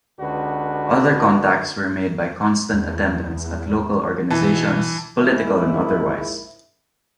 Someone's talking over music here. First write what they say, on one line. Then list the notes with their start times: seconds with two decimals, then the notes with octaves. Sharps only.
Other contacts were made by constant attendance at local organizations, political and otherwise.
0.18 C#2 D3 F#4 B4
2.73 E2
3.98 F#2
4.30 B2 E3 A5
5.19 A#1 G#2 G#3 A#3 E4